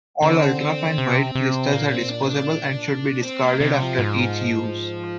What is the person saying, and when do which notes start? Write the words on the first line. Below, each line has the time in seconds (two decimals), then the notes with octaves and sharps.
All ultra-fine white crystals are disposable and should be discarded after each use.
0.22 D3 C4
0.60 C4
0.98 C3
1.35 C3
1.72 A#2 A#3
1.92 C4
2.10 D4
2.23 C4
2.29 D4
3.23 C4
3.42 A#3
3.60 C3 G3
3.79 F3
3.98 G#2